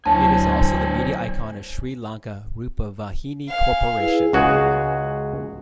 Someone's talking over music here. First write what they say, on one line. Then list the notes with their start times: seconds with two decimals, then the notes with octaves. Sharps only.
It is also the media icon of Sri Lanka Rupavahini Corporation.
0.06 D2 F#3 E4 C5 C#5 G#5 A5
3.48 F5 G#5
3.96 E4 G#4 B4
4.33 C#2 F#4 G#4